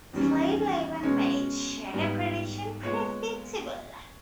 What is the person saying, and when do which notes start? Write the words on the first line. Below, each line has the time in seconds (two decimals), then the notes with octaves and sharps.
Slave labour made sugar production profitable.
0.13 E2 D#3 G3 C#4
1.03 B2 G#3 C#4 C#5
1.93 G#2 G3 B3
2.83 A#2 G#3 B3 C#5